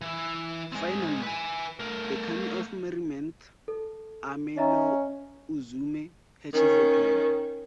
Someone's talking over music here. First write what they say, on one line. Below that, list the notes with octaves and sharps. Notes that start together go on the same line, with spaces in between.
Finally, the kami of merriment, Ame-no-Uzume, hatches a plan.
E3 E4
G#3 C4
B4 G#5
A3 A#4
A4
C#4 D#5 E5 A#5
D#3 C#4